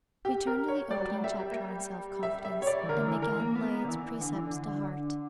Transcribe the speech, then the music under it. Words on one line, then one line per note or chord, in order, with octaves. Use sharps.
Return to the opening chapter, on self-confidence, and again lay its precepts to heart.
G4
A#4
C#5
G3 D5
F#3
G3
F#3
G3 E5
A#3
G3
E5
E5
C#5
D5
E3
D3 A#4
E3
A#4
A#3
B3
D3
E3
D3
E3
D3